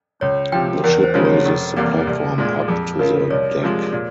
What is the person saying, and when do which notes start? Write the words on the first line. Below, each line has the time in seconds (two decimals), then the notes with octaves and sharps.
The ship raises the platform up to the deck.
0.21 C#2 C#5
0.52 C3 F3 G5
0.84 E2 A#4
1.04 C5
1.14 C#3 F3 G#3 C#4
1.25 C#5
1.45 F1 G4
1.76 E2 C3 G3 A#3
2.07 C2
2.38 A#2 G#3
2.68 F2 G#4
2.99 C#3 F3 A#4
3.30 C2 C#5
3.61 C3 F3 G#3
3.93 A#2